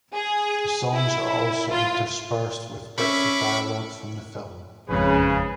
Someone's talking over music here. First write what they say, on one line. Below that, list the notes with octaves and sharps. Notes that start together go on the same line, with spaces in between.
The songs are also interspersed with bits of dialogue from the film.
G#4
E4
F4
C#4 E5 B5 C#6 D6
G#1 F2 G#2 C#3 C#4 G#4 B4